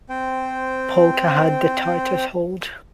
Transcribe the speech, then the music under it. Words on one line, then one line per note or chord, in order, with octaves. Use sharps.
Polka had the tightest hold.
C4 C5 G5